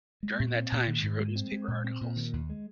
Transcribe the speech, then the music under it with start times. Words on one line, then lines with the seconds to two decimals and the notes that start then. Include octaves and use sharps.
During that time she wrote newspaper articles.
0.23 G#3
0.39 A#2
0.56 C4
0.72 A#2
0.87 D#3
1.03 G#2
1.19 G#3
1.36 C4
1.52 G#3
1.68 A#2
1.84 C4
2.01 A#2
2.17 D#3
2.33 D#2
2.50 G#3